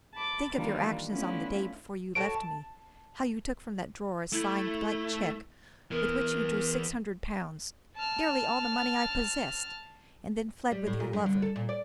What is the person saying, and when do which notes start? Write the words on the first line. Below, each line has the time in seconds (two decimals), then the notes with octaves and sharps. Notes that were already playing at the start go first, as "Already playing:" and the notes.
Think of your actions on the day before you left me; how you took from that drawer a signed blank cheque, with which you drew six hundred pounds,--nearly all the money I possessed,--and then fled with your lover.
0.15 A5 B5 D6
0.52 D#3 E3 G3 A#3 D4 F4
1.09 A3 B3 C#4 D4 E4 F4
2.15 F#4 A4 C#5 D7
2.35 A5
4.33 A3 E4
5.91 E3 B3 A#4
7.96 A5 F6
10.72 G3
10.87 A2
11.00 A#2
11.13 G2
11.26 D3
11.42 A4
11.56 A#2
11.69 D5